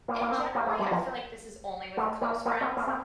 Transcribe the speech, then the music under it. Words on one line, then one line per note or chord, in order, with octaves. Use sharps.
and generally, I feel like this is only with close friends,
A#3
A#3
C4
A#3
A3
G3
F3
A3
A#3
A#3
C4
A#3
C4